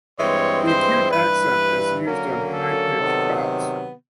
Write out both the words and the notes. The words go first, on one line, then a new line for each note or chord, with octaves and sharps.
The acute accent is used on high-pitch vowels.
G2 E3 G#3 C4 C#5
C5
G2 E3 G3 B4
D3 F#3 A#3 C#4 A#4
A4
C3 D#3 F#3 B3